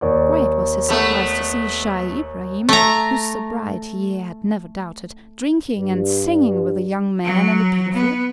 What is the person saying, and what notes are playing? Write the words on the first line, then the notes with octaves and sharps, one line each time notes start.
Great was his surprise to see Scheih Ibrahim, whose sobriety he had never doubted, drinking and singing with a young man and a beautiful lady.
D#2 D5
A3 B3
A3 A#5
G2
F#3
B3